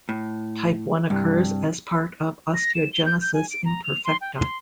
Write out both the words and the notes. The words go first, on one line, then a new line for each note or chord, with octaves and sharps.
Type One occurs as part of osteogenesis imperfecta.
A2
C2 G2
A#6
E7
G7
G6
G6
G#5
D7
A#5
F7
C6
G5
C6